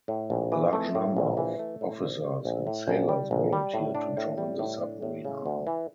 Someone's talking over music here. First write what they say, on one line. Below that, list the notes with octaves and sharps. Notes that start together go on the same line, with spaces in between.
A large number of officers and sailors volunteered to join the submarine arm.
A2
A#1
E3
A3
A2
A#1
E3
A3
A2
A#1
G3
A#1
A2
A#1
G3
A#1
G3
A2
D4
A2
G3
A2
D4
A2
C#3
D2
E3